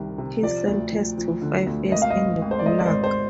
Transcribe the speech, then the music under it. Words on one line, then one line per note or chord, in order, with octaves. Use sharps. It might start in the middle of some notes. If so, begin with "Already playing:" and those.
He sentenced to five years in the Gulag.
Already playing: C2 C3 D#3
C3
F3 D5
D2
F3
F3
D3
D2
G#1 D#5
F5
D#5
G#1
G#1
C5
D5
G#2 D#5
D5
C5
G#1
C5